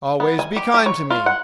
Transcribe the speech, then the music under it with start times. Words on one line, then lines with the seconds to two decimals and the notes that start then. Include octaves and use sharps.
Always be kind to me.
0.20 B3
0.39 G#5
0.56 G4
0.74 G4
0.86 C#5
1.10 F4
1.26 F#5